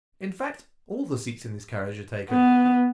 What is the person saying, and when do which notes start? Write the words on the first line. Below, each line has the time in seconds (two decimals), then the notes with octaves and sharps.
"In fact, all the seats in this carriage are taken."
2.31 B3